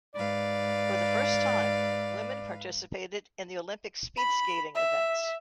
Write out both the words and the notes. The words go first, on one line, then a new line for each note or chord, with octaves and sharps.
For the first time, women participated in the Olympic speed skating events.
G#2 B4 D5 F5
B5
E5